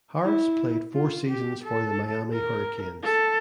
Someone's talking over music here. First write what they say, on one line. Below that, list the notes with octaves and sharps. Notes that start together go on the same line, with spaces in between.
Harris played four seasons for the Miami Hurricanes.
E4
F4
G4
A4
A#4
A4